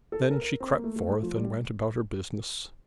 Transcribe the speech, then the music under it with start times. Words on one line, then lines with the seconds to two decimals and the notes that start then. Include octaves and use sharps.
Then she crept forth, and went about her business.
0.12 A4
0.31 A#4
0.41 A#4
0.60 C4
0.71 A#3
0.84 A3
0.96 A3
1.10 A3
1.23 F3
1.36 G3